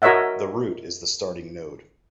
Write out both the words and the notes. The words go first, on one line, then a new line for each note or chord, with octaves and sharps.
The root is the starting node.
F#4 A#4 C#5 D#5 E5 F#5